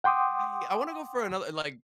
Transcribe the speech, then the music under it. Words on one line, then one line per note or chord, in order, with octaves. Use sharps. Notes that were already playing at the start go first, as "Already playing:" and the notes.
I I wanna go for another, like
F#5 G5 C6 D6 D#6